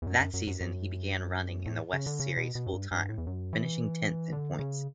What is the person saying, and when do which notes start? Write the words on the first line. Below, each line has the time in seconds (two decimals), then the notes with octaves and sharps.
That season, he began running in the West Series full-time, finishing tenth in points.
0.02 E2
0.07 F#2
0.20 F#2
0.34 F#2
0.47 F#2
0.61 F#2
1.66 A2
1.93 C#3
2.06 D3
2.20 C#3
2.37 B2
2.55 B2
2.67 F#2
2.74 G2
2.91 G2
3.09 A2
3.18 E2
3.27 F#2
3.53 E3
4.32 D3
4.59 C#3